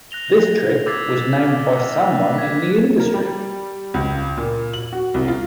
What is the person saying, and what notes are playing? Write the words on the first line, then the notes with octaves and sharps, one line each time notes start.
This trick was named by someone in the industry.
F#6 A#6 F7 G7
D6 E6 G#6 A6 B6 C7
F6
F#6
G#6 B6
A#4
G3
C#2
A#2
F#7
F#4
C2
F4